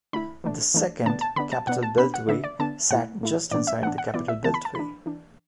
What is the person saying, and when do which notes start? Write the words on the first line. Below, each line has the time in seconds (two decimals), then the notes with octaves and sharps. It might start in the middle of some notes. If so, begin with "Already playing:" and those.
The second, Capital Beltway, sat just inside the Capital Beltway.
0.13 D3 A3 E4 B5
0.44 E3 A3 D4
0.74 E3 A3 D4
1.05 D3 B3 D4 A5
1.21 A5
1.36 D3 B3 D4 B5
1.52 A5
1.67 B2 B3 D4 F#5
1.83 A5
1.97 B2 B3 D4 B5
2.14 F#5
2.28 D3 B3 D4 E5
2.44 D5
2.59 D3 B3 D4 A5
2.90 A2 A3 E4 F#5
3.21 A2 A3 E4
3.51 A2 E3 B3 D4 D5
3.67 E5
3.82 A2 E3 B3 D4 F#5
3.98 F#5
4.14 E3 B3 E4 D5
4.28 E5
4.44 E3 B3 E4 A5
4.54 B5
4.65 A5
4.75 E3 D4 B5
5.06 E3 D4